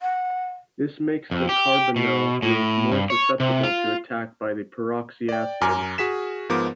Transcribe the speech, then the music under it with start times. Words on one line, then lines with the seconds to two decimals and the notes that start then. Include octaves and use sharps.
This makes the carbonyl group more susceptible to attack by the peroxyacid.
0.02 F#5
1.31 F2
1.49 G4
1.96 B2
2.42 A2
2.92 G2
3.10 C#5
3.40 C3
3.64 F4
5.29 D5 G5
5.61 F#2 G#5 A#5 D6 F6
5.98 F#4 G#4 B6 E7
6.49 G#2 F3 B3 A#4 D6